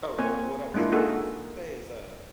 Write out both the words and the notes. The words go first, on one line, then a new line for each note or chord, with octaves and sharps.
Oh, well, what what I was gonna s say is, uh,
A#3 C4 C#5 G#5
G#3 A#3 D4 E4 F4
A#3 D#4 F#4 G#4 A4